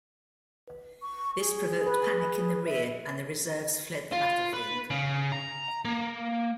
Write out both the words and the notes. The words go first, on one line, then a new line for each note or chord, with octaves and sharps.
This provoked panic in the rear and the reserves fled the battlefield.
C#6
G#4
B4
E5
F4
B4
C#3
A#5
A#3